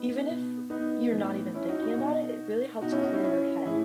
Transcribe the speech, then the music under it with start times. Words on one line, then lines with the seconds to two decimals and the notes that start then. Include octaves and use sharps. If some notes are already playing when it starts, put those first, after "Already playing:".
even if you're not even thinking about it, it really helps clear your head,
Already playing: B3 D#4
0.29 B2
0.70 B3 D#4
1.13 A2 E3
1.54 C#4 E4
1.68 D#4 F#4
1.82 D#4 F#4
1.96 B2
2.81 B2 D#4 F#4
2.92 C#4 E4
3.03 D#4 F#4
3.13 C#4 E4
3.24 C#4 E4
3.66 A2 E3 E4 G#4